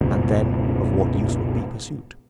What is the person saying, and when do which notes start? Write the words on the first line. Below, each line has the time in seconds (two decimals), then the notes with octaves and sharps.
And then of what use would be pursuit?
0.01 F#1 C#2 G#2 B2